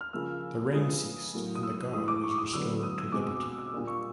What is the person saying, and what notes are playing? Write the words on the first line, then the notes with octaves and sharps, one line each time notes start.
The rain ceased and the god was restored to liberty.
F6
C#3 F3 A#3 E6
C#3 F3 G#3 B3 D#6
A2 F#3 A#3
D#6
E6
A2 E3 G#3 D#6
D6
C#6
D#6
D3 F#3 B3 E6
D#6
E6
B2 G#3 C4 D6
D#6
E6
E6
A#2 G3 A#3
C#6